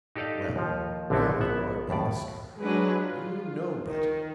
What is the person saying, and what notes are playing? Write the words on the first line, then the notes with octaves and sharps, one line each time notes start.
Well, now you are in the sky, you know better.
D#4 G4 A4 D5 D#5 F5
D#2 F3
A#1 D3 B3 C4 E4 A4
A#1 B3 E5 F#5
D#2 A2 D5
F#3 G#3 D4 B4
F4
D#3